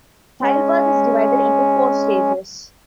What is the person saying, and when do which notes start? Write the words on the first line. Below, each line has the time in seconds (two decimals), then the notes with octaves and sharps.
Childbirth is divided into four stages.
0.42 G#3 C#4